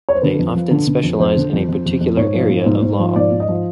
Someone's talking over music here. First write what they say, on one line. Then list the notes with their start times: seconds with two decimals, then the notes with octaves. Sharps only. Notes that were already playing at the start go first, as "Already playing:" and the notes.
They often specialise in a particular area of law.
0.09 C#5
0.15 C5
0.22 D3 B4
0.39 F2
0.55 F3
0.71 D3
0.87 D3
1.03 F2
1.20 F2 C5
1.37 D3
1.53 F2
1.69 F2
1.86 F2
2.01 F2
2.17 G#2 C#5
2.35 F3
2.50 G#2
2.66 G#2
2.82 G#2
2.99 F3
3.16 G#2 D5
3.31 G#2
3.40 D#5
3.49 F3